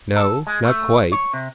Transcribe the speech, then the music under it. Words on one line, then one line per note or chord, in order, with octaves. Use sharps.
"No; not quite."
A4
G#3
A3
C#5
C3